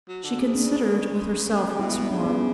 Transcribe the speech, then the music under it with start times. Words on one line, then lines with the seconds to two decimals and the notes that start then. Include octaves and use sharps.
She considered with herself once more.
0.08 F#3
0.24 D3
0.39 C#3
0.55 D4
1.79 B2 E4
1.95 E4
2.10 C#3 D4
2.20 B3
2.26 C#4